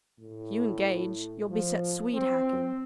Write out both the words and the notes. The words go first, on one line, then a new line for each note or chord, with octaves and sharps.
If you engage, you'll be set swede-hacking.
A2
F3
C4